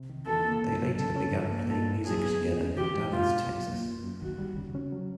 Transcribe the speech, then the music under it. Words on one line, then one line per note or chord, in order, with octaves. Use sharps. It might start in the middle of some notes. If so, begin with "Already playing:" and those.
They later began playing music together in Dallas, Texas.
Already playing: C3
D#3
E2 A4
A#3
C#3
F#3
C#3 A4
C#4
F3
A#3
A#2 A4
E4
F#3 G#4
B3
G#2
C#4
E3 G4
G#3
B2 F4
B2
F#3
A#3
F#2
F#2
D#3 F#4
G3
C#3
C#4
F#3